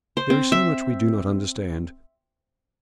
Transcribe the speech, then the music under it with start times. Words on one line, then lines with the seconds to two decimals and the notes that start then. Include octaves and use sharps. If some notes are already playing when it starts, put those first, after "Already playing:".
There is so much we do not understand.
0.17 C5
0.30 C4
0.52 E5